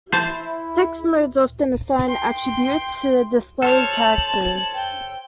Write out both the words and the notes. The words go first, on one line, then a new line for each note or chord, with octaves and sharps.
Text modes often assign "attributes" to the displayed characters.
E4 C5 A5
G5 C6
A4 C5 C#5 A5 F6
F#7
G5